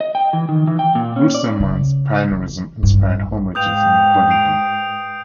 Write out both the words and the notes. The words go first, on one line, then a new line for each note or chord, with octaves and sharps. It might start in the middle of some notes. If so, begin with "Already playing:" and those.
Wilstermann's pioneerism inspired homages in Bolivia.
D#5
G5
E3
D#3
E3
G5
A#2
C#4
D5
C#3
E3
A1 G2
G#2 B4 F5 G5 D#6 G6 F7
C7 D7 F7